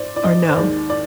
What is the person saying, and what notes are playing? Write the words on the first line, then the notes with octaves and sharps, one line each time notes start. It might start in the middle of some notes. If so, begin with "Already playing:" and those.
or no?
Already playing: C5 D5
D5
D#5
C5
D#2 D#3 G#3 D5
D5